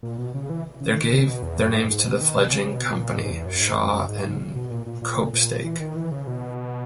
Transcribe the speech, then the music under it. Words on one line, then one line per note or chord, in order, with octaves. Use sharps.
They gave their names to the fledgling company - Shaw and Copestake.
A#2
B2
C#3
E3
C#3
D#3
C#3
B2
E2
F#2
G#2
G#2
B2
D#3
B2
C#3
C#3
B2
A#2
G#2
E2
F#2
G#2
F#2
F#2
G#2
G#2
B2
A#2
A#2
A#2
A#2
E3
D#3
E3
C#3
B2